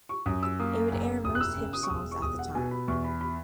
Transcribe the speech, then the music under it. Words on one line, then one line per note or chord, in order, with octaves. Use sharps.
It would air most hip songs at the time.
C#6
F#2 D#6
E6
A#3 D#6
F#1
E1 D#6
F#6
E6
C#3
D#6
C#6
E1 D#6
C#6
E1 D#6
F#5
B2 G#5
B5
E2 C#6
B5
B5